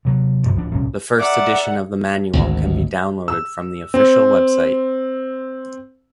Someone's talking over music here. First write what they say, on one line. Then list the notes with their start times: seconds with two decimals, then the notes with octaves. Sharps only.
The first edition of the manual can be downloaded from the official website.
0.05 C3 F#3
0.43 F1 B1 G2 F3
0.55 D1 F3 D4
0.71 D1 C2 C#4
1.19 G#4 A#4 D5 E5 F#5 D6
2.33 G#1 D2
3.28 E6
3.94 C4